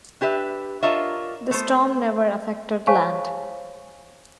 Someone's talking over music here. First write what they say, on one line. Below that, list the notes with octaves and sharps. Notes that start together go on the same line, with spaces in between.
The storm never affected land.
D4 G4 B4 E5
D4 F4 A#4 C#5 D#5 E5
A3 B3 C5
C5 C#5 F5 G#5 A5 C#6